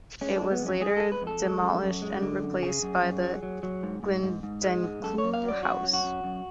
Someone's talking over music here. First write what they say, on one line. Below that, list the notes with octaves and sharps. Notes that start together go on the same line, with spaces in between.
It was later demolished and replaced by the Gyldenklou House.
G#3 C#4
D4
G#3
B3
F2 C#4
G#3 G#4
G#3 A4
B4
F2
A4
G#3
F#2
F#2
G#3
D3
F#2
C#3 G#4
F#2
F#2
F#3
F#3
F#3
G#2
G#2
G#2
G#2
G#3
G#2
F#2 A4
C#5
F#2
F5
F#3 D5
F#2 F#4
F#3
F#4
F#2
F#2